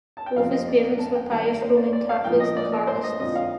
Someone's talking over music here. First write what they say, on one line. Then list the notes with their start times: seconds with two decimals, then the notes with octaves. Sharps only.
Both his parents were pious Roman Catholics and Carlists.
0.17 A5
0.26 G5
0.36 F2 C3 F3 C4 F5
0.52 D#5
0.68 D5
0.84 A#4
0.99 A5
1.15 G5
1.30 G2 D#3 A3 A5
1.46 A#4
1.62 C5
1.77 D5
1.93 D5
2.09 F5
2.24 A#2 F3 A#3 G5
2.40 D#5
2.57 D5
2.72 A#4
2.87 C5
3.03 D#5
3.19 F2 D3 F3 D#5
3.35 F5